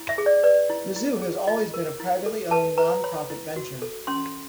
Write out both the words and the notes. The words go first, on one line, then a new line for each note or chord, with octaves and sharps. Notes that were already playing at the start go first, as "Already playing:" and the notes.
The zoo has always been a privately owned, non-profit venture.
Already playing: E4
E5
G#4
D5
B4 D5
E4
E4
G#4
F4 D#5
A#4
E4
A4
B4 A5
B4 A#5
C#5 B5
E4
F#4
A4
C#4 C6